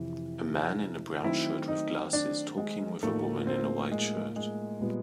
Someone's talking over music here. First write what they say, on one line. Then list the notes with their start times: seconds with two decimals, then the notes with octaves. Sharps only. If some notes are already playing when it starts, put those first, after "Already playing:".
A man in a brown shirt with glasses talking with a woman in a white shirt.
Already playing: F2 C3 E3
1.24 D#3 F#3 A3 C4 E4
1.68 D#4
2.13 D4
2.57 G#3
3.03 A2 F3 A3 A#3 D#4
3.47 C4
3.92 G#3
4.36 G#3
4.81 A#2 G3 B3